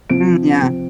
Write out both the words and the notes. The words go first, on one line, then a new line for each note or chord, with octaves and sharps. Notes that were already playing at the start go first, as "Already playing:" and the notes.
Mm, yeah.
C3 F3 C4 D7
C3 F3 C4